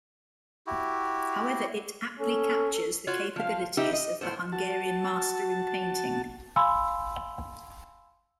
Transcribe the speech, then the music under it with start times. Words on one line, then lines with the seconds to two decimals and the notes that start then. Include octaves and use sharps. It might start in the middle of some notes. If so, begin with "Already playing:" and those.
However, it aptly captures the capabilities of the Hungarian master in painting.
0.67 E4 F#4 G4
2.20 C#4 A4
3.07 F4 F#4 C#5
3.36 F3 F5
3.77 D#4 G4 B4 E5
3.93 D#5
4.21 A2 B3 C5
4.52 F#4 A5
6.56 F5 G#5 B5 C6 E6